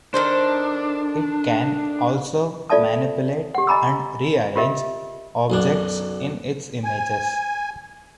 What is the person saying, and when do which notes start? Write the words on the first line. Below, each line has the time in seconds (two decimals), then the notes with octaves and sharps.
It can also "manipulate and rearrange" objects in its images.
0.14 D#3 D4 A4 C5
2.70 F4 A4 D5 E5 A5 D#6
3.55 G4 F#5
3.67 D#5 G#5 A#5 B5 D6 E6
4.56 F4 G4 A#4 D#5 E5
5.50 B1 F#2 D4
6.84 G#5